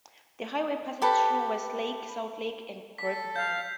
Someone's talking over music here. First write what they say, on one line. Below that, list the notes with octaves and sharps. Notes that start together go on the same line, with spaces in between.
The highway passes through Westlake, Southlake, and Grapevine.
G4 A4 B4
A4 B6
F5 G6